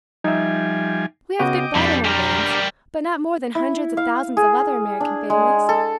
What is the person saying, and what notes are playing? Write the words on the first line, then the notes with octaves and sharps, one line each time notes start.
We have good blood in our veins, but not more than hundreds of thousands of other American families.
F3 G3 D#4 E5 G#5
C#3 B3 F#4 D#5 G5 D6
F2 B2 G3 D4 G4
G3 A#4
E4
F5
G#4
D4
G#3
A4